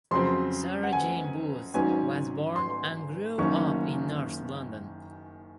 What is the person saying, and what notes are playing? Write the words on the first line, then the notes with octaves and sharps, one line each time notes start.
Sarah Jane Booth was born and grew up in North London.
F2 C#3 F#3 C4 C6
F#5
G#5
G#1 G#2 F#3 C#4 G#5
C6
F#1 F#2 D#3 A#3 C#4 C#6